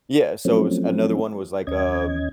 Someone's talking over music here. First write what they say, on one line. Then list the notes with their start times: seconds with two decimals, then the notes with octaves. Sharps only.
Yeah. So, was another one was, like, um,
0.45 F3 F#3 A3 C4 C#4
1.67 D#2 C#4 D#5 G#6